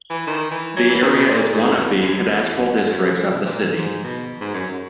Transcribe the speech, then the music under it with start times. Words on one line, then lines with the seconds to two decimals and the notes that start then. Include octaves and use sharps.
The area is one of the cadastral districts of the city.
0.10 E3
0.27 D#3
0.51 E3
0.76 F#3
0.89 E3
1.02 D#3
1.15 B2
1.27 A#2
1.53 G#2
1.77 E2
2.02 F#2
2.28 E2
2.53 F#2
2.78 G#2
2.90 F#2
3.03 F#2
3.15 F#2
3.28 B2
3.45 A#2
3.61 G#2
3.78 G#2
4.04 B2
4.41 G#2
4.54 F#2